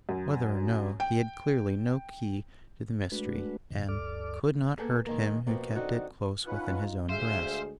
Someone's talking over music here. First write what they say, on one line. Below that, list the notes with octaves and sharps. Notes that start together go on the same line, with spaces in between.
Whether or no, he had clearly no key to the mystery, and could not hurt him who kept it close within his own breast.
F#2
G5
G#3 A3 D4 F#4 B4
F#2 C3 D#3
D2 G2 A4 D5 D6 F6
A#3 B3 G#4 A4
D#3 G#3 A#3
B2 F3 A#3 C4
D3 C4 D#4 F#4
C#4 D#4 F4 B4 F#5
D2 G#3 G#4 C5 E5 F5